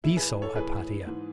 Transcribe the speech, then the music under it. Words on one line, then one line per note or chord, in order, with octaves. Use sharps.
Be so, Hypatia....
A2 E3 E4
G#4 B4
A4 C#5
A2 E3 G#4 B4
G#2 E3